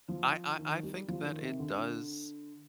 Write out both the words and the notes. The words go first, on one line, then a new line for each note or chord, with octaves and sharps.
I I I think that it does
F3
D#3
G3
F3
D#3
C3
D3